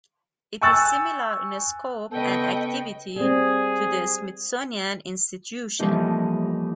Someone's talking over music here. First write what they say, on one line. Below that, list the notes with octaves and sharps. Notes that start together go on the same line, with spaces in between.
It is similar in scope and activity to the Smithsonian Institution.
G5 G#5 C#6 E6 F#6 A6
C#3 B3 A4 B4 D#5 G5 C#6
G3 C4 G#4
E3 F3 G3 A3 A#3 D#4